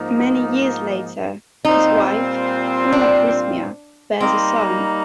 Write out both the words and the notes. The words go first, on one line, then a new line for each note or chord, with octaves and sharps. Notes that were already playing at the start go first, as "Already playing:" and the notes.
Many years later, his wife, Prunaprismia, bears a son.
Already playing: G#2 F3 A#3 D#4
A#2 G3 C4 D#4 F4 C5
D4
G3 A#3 C4 D#4